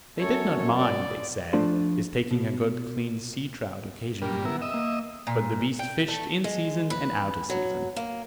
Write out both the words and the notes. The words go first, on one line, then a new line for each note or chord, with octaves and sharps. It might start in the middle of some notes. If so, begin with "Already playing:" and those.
They did not mind, they said, his taking a good clean sea-trout occasionally; but the beast fished in season and out of season.
F#2 A4 C#5
D5
F3 A3 D4 F4 C5
B2
G2 A#2 G3 A#4
B3 E4 A#4
D#5 E5 E6
A#3
A#2
G5
A3
G#3
B4
F#3
A#3